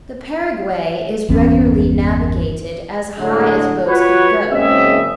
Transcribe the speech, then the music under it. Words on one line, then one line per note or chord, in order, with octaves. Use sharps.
The Paraguay is regularly navigated as high as boats can go.
G1 E2 B3 C#4
A2 D3 F#3 G#3
F4 F#4 B4 C#5
F#1 G#2 C#3 C4 D#5 E5